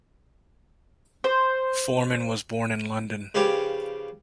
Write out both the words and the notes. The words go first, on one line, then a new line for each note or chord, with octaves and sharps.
Foreman was born in London.
C5
C#3 F3 C#4 G4 B4